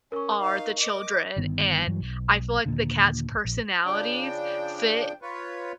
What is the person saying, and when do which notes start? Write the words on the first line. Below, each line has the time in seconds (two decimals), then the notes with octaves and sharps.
are the children and I feel like the cats' personalities fit
0.12 C#4 A#4 C#6
0.40 D#4 F5
0.80 D#5 D6
1.36 G1 G2 D#3 B3
1.87 G2 E3 F#3
2.00 B1
2.66 D#2 A#2 D3
3.45 A#1
3.85 C#3 F3 D4 G5
5.22 F4 B4 C#5